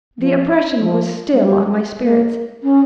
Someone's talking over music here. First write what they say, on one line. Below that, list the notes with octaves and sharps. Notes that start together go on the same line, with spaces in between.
The oppression was still on my spirits.
F3
F3
G#3
G3
A#3
C#4